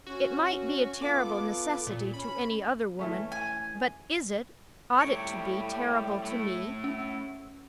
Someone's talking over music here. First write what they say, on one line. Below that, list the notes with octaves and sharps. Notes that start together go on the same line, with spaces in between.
It might be a terrible necessity to any other woman; but is it, ought it to be terrible to Me?
C#4 F#4
B3 F4 A4 D6
A#2
C#4 B5
E3 A3 C#4
G#5
A2 G3 C#5 C#7 D7
A3 E4
C#4